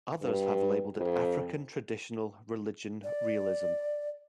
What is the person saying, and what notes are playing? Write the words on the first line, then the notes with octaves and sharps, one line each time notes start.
Others have labeled it African Traditional Religion realism.
G2
F2
D5